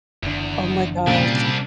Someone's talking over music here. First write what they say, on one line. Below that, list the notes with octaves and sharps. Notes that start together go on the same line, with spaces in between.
Oh my gosh.
F#1 E2 D3
C2 A#2 C#3 G3 D4